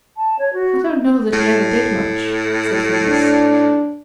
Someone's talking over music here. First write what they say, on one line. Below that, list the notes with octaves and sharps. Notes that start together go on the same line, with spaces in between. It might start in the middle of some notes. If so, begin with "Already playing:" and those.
"I don't know that he ever did much," said Phineas.
A5
C#5
F#4
A2
D4